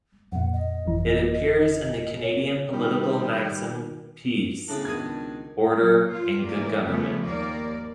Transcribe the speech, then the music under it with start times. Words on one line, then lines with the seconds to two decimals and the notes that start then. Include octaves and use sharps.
It appears in the Canadian political maxim Peace, order and good government.
0.32 F2 A#2 F#5
0.53 D#5
0.85 G1 F2 E3
2.22 C#5
2.73 D#3 G3
4.68 A2 C#3 B3 D4
4.85 C#2 B2 D#3 D#6 G#6
5.75 F#3
6.11 F4
6.43 E3 A#3 D5
6.82 C#3 F3 G3 A3 B3
7.23 D#2 A#3 D5